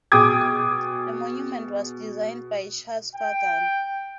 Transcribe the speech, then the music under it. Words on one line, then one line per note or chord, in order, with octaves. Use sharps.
The monument was designed by Chas Fagan.
B2 G#4 G5 D6 D#6 G#6
G5